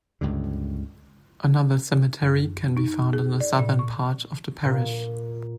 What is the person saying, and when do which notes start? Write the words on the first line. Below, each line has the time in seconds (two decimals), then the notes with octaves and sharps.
Another cemetery can be found in the southern part of the parish.
0.21 C#2 G2 D3
2.22 F#2
2.77 D#4
3.13 G#4
3.41 D5
3.59 A#2
3.79 C#6
4.65 A#2